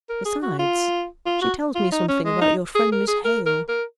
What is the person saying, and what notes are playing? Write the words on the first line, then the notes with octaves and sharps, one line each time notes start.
Besides, she tells me something about your friend Miss Hale.'
A#4
G#4
F#4
F4
F4
F#4
F4
D#4
C#4
G#3
D#4
G#4
A#4
G#4
A#4
A#4
A#4